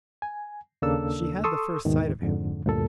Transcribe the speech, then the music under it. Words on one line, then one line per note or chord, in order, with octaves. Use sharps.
She had the first sight of him.
G#5
D#2 C#3 A#3 D4 A4 E6
A4 C6 C#6 D#6 E6
D#2 G#2 B2 D#3
F2 G#2 D3
D2 G2 A#2 A4